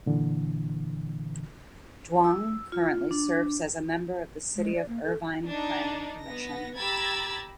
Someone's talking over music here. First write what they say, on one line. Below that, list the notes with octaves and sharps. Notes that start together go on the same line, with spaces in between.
Duong currently serves as a member of the City of Irvine Planning Commission.
A#2 D3 E3
E6
F4
D4
G#3
D5
A#3
A4
D4 D#4
B3 A#6
G4 A#5 B5 E6 G#6 A6